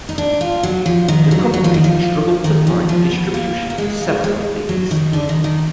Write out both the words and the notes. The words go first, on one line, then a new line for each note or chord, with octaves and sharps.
The company struggled to find distribution for several of these.
D#4
D4
F4
F#3
F3
D#3
F#3
F#3
F3
D#3
F3
D#3
F3
F3
B3
A#3
A#3
G#3
A#3
G#3
F#3
D#3
D3
D#3
D#3